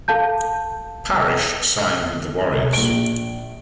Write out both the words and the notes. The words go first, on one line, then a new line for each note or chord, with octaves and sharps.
Parish signed with the Warriors.
A4 F5 A5 G6
A#1 D7